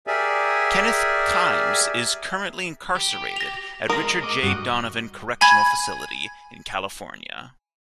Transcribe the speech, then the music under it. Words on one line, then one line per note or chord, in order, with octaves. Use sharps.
Kenneth Kimes is currently incarcerated at Richard J. Donovan Correctional Facility in California.
G4 G#4 A#4 D5 E5 G#5
G4
A#6 F7
G#3 A#4 D#6 A#6
D#5 D6
G2 F#4
G#5 B5 G#6